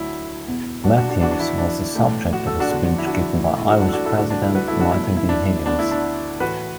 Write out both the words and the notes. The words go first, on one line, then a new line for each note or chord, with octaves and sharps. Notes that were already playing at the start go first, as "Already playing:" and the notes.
Matthews, was the subject of a speech given by Irish President Michael D. Higgins.
Already playing: D2 D3 F#3 E4
E2 B2 B3
D4 F#4
D4 F#4
D4 F#4
E2 E3 B3 D4 F#4
D4
E4
D4
A2 E3 A3
F#4
A4
D4 F#4
E2 D3 F#3
E4
D4 F#4
A2 E3 A3 E4
E4
D4 F#4
D4 F#4
A4
D4 F#4
E4 A4
D2 D3 A3 D4 F#4
D4
E4
F#4 B4
E4 A4
D4 F#4
B2 A3 E4
E4
D4
D2 D3 B3 D4
E4
D4
A2 E3 A3 F#4 B4